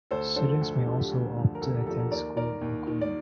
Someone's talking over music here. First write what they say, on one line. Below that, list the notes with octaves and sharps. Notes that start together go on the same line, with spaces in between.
Students may also opt to attend school in Nocona.
D2 A4 C5
D3 F3 A4 C5
D2 A4
G4
D3 F3 A4
G4
D2
D3 F3
A#4
D2 A4
G4
A#4
D3 F3 A4
G4 A#4
D#2 A#4 D5
D#3 A#4 D5
D#2
D#3
D5